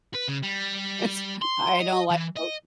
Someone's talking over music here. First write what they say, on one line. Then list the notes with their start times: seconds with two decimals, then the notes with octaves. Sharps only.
It's I don't like those
0.14 B4
0.28 C#3
0.43 G3
1.42 C6
1.81 D#5
2.11 E3
2.37 D#5